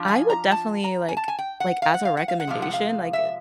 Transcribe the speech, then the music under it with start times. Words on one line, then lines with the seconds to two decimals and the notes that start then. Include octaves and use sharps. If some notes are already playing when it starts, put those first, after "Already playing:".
I would definitely, like like, as a recommendation, like, uh
Already playing: F3 D4 F4
0.08 G#5
0.30 A#5
0.52 A5
0.84 A#5
1.09 G#5
1.17 A5
1.28 G#5
1.39 G5
1.60 F#5
1.82 F5
1.94 F#5
2.05 F5
2.17 F#5
2.28 F5
2.40 F#5
2.47 C3 F3 G#3 F5
2.62 F#5
2.73 F5
3.13 E5